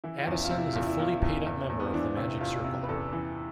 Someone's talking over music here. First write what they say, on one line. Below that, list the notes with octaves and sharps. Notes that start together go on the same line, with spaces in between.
Addison is a fully paid-up member of The Magic Circle.
E3 E4
F4
E2 E4
F4
C3
E4
E2 F4
E4
E2 F4
E4
E2
E2
E2
B3
C4
E3 D4
C3
E2 F4
C3
B4
E2 A4
E3